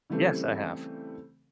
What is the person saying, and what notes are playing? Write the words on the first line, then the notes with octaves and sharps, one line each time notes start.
Yes, I have.
C#3 E3 G3 A3 C4